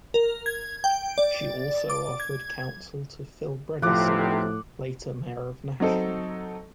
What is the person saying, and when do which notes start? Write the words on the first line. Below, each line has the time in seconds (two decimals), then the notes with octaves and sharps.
She also offered counsel to Phil Bredesen, later mayor of Nashville.
0.14 A#4
0.46 G#6
0.84 G5
1.18 D5
1.90 D6
2.20 G#6
3.82 B1 A2 C3 F3 F#5 D6
5.80 F#3 C4 D#4 A4